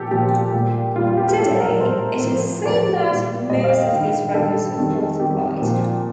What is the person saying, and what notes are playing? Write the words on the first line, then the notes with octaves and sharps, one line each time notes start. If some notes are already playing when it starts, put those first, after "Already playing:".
Today it would seem that most of these records were falsified.
Already playing: A#2 F3 G4 A4
A#2 F3 G4
A#2 G3
A#2 G3 F4
F4
G4
G4
A2 G3 A4
A#4
A2 G3 C5
A2 F3
A2 F3 D5
A#2 G3
A#2 G3 D#5
F5
G5
G2 D#3 G3
G2 D#3 G3 A4
F2 D#3 G3
F2 D#3 G3 G4
A#2 F3